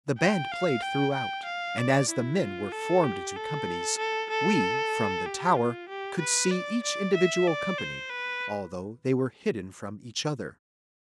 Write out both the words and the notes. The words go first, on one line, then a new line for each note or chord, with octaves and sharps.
The band played throughout and as the men were formed into companies we from the tower could see each individual company although they were hidden from each other.
G5
F5
G5
G5
F5
D5
E4
F4
A4
G4
A4
A4
A4
G4
F4
G4
B4
D5
D5
E5
D5
C5
B4